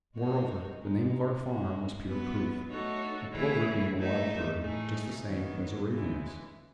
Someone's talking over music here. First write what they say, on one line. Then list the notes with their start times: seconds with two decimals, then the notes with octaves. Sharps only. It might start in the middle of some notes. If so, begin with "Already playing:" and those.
Moreover, the name of our farm was pure proof; a plover being a wild bird, just the same as a raven is.
0.16 G#3 D#4 F#4 C#5
0.79 A2 G#3 D#4
1.43 G#3 C#4 F#4
2.05 F#3 B3 E4 B4
2.68 A3 D#4 F#4 A4 C#5
3.31 E3 A3 E4 G#4 C#5
3.95 E3 A3 D#4 A4 E5
4.58 A2 E3 A3 D#4 G#4
5.22 D#3 F#3 B3
5.85 C#3 E3 G#3